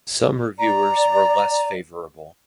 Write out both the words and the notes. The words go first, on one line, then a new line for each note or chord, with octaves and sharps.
Some reviewers were less favorable.
D5 A#5